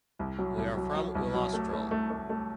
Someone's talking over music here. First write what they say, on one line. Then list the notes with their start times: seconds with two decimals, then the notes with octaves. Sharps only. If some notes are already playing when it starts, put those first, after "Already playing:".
We are from Ullastrell.
0.19 C2
0.39 F#3
0.58 C2
0.77 F#3
0.96 F#3
1.15 C2
1.34 F#3
1.53 A3
1.72 A3
1.91 A3
2.10 A3
2.29 A3